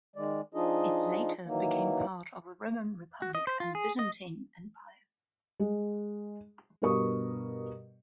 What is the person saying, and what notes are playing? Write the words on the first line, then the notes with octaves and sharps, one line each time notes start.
It later became part of the Roman Republic and Byzantine Empire.
D#3 G#3 D5
F3 D4 D#4 F4 G#4 D#5
D#3 E3 F#3 A#3
F#4
D#5
C5
F4
G#4
D#5
G#3
G2 B2 A#4 C#6 D#6